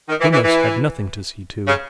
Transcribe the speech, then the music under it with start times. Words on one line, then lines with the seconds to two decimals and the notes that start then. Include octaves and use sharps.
Wemyss had nothing to see to.
0.09 D#3
0.21 E3
0.33 E3
0.44 E3
1.67 C#3